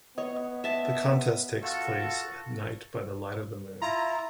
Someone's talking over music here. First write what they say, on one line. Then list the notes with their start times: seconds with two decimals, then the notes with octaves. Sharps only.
The contest takes place at night by the light of the moon.
0.18 B3 C#5 D#5
0.64 E5 A5
1.62 F4 F#4 A4
3.82 E4 F4 A#5